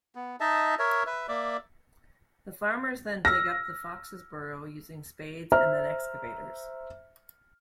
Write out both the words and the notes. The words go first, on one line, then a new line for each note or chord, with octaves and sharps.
The farmers then dig up the Foxes' burrow using spades and then excavators.
B3
D#4 D#5 E5 A5
A#4 C#5 E5
B4 E5
A#3 D5 E5
E6 F6 A#6
C5 E5 A#5 F6